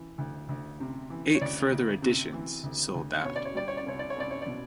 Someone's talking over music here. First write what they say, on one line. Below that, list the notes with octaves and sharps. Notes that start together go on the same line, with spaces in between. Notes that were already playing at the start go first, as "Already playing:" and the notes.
Eight further editions sold out.
Already playing: E3
D2
D2
C3
E3
C#5
D2 D5
D2
C3
E3
D2
D2
B2 C#5
D5
C#5
G3 D5
C#5
D5
C2 C#5
D5
C#5
C2 D5
C#5
D5
B2